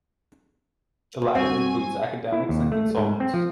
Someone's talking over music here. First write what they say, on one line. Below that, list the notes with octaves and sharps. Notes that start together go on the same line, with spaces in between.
The latter include academics and consultants.
F#2 F#3 G3 C4 F#4 G#5
E4
D#2
A3
G#2
C4
F3